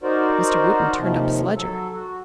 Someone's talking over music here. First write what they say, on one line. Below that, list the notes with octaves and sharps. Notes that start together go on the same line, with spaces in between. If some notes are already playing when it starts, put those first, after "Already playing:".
Mr. Wootten turned up his ledger.
D#4 F#4 A#4 C5 D5
D#2 C3 D#3 F3
F#3 A4
F#4